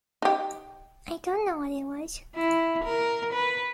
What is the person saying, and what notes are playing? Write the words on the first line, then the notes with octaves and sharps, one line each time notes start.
I don't know what it was.
D#4 G4
E4
A#4
B4